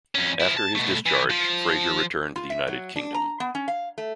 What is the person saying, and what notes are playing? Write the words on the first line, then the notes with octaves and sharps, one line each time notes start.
After his discharge, Fraser returned to the United Kingdom.
F2 C#4
F3 E4
A5
B2 A3
E3
F3
F4
E5
F#3
D4
A#5
B3
C#4
F5
A3